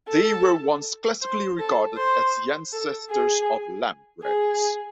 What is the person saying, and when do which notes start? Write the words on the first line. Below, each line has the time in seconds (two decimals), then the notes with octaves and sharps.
They were once classically regarded as the ancestors of lampreys.
0.09 A4
1.22 C5
1.59 A4
1.97 C5
2.73 A4
3.10 G#4
4.24 G#4